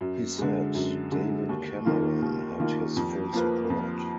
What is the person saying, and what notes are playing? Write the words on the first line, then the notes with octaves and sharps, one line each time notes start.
He said David Cameron had his full support.
F#2
D3 G#3
F#2
D3 G#3
D#2
D#3 A#3 F4
D#2
D#3 A#3 F4
F2
F3 A#3 F4 B4
F2